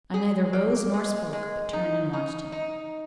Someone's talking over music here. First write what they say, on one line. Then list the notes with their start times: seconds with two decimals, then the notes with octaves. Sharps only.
I neither rose nor spoke, but turned and watched him.
0.14 G#4
0.53 A#3
0.94 G#3
1.33 G#3
1.73 D#4
2.13 D#4
2.52 D#4